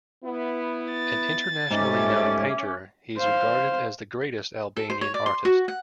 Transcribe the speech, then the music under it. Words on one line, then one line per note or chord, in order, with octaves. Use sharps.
An internationally known painter, he is regarded as the greatest Albanian artist.
B3 E4
A6
G#2 G3 A3 C#4 E5 D6
C5 F5
A4
C5
C#5
D5
C6
F#4
F#5